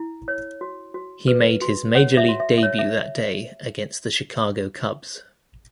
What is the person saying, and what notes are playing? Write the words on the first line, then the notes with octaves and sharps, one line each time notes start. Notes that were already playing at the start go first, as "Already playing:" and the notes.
He made his major league debut that day against the Chicago Cubs.
Already playing: E4
C#5
F#4
F#4
B4
F#4
C#5 F#5
E5
F#4
E5
E5
C#5
E5